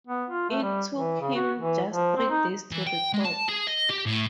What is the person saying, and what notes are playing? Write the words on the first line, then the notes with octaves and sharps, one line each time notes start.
It took him just three days to record.
B3
F4
A3
G3
E3
C#3
F#4
E3
F3
C4
D#4
E3
G5
G#3
A5
G#4
D#5
G4
A2